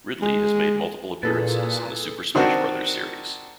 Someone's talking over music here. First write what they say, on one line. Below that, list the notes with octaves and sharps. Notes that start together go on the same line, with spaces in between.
Ridley has made multiple appearances in the "Super Smash Brothers" series.
G#3
A#2 E4 G#4 A4 B4 A6
D#3 C4 D4 F#4